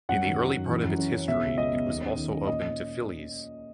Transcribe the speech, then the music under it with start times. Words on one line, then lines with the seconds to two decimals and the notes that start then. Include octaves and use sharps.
In the early part of its history it was also open to fillies.
0.09 F#2 F#5
0.24 D#3
0.39 F#3
0.53 F#2
0.68 E3
0.83 F#2
0.99 C#4
1.14 C#4
1.28 B2 E5
1.43 C#2
1.58 B3 D#5
1.73 B3
1.88 D#2
2.03 C#4
2.18 D#3
2.33 C#4
2.47 A#2 D#5